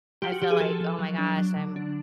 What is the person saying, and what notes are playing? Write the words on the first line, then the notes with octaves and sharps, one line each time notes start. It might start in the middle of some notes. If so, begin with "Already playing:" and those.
I feel like, "Oh my gosh. I'm"
F3 G4
F#4
F3 G4
G#4
F3 A4
F3
F#3
D4
F#3
D3
D4